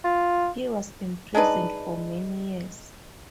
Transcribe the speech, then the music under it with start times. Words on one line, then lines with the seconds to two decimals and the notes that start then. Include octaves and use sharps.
He was imprisoned for many years.
0.04 F4
1.35 G#3 D4 D#4 B4